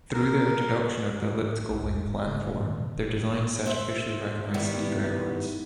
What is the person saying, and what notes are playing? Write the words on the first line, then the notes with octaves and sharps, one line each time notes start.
Through their introduction of the elliptical wing-planform, their designs set officially recognized speed records.
A#4
A2
A2
A#1
E2
E1
C#3
A2
D#3
B2
D#1
A2
C5 E5
D#3 G3 B3 E4